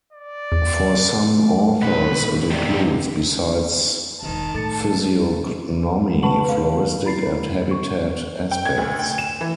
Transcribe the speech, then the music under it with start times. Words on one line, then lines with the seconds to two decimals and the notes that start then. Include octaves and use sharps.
For some authors, it includes, besides physiognomy, floristic and habitat aspects.
0.13 D5
0.52 E2
1.83 A#2 D#3 B4
2.50 G#2 C3 G4 D5
2.69 D#4 E5
4.22 E1 A#1 D#3 A5
4.54 A2 A4 A6 C#7
6.23 B4 F#5 A5 B5 C#6 F#7
6.44 B4 F5
7.05 E4 A#5 B5 A6 C7
7.71 C#6
8.51 G5
8.65 G#6
8.77 D2
8.99 G5
9.18 E7
9.41 E3